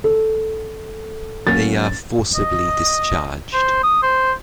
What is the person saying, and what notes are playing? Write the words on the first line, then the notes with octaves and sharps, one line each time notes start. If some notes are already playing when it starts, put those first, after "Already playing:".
They are forcibly discharged.
A4
F#3 A#3 C#4 A6
D#5
C5
D#6
C5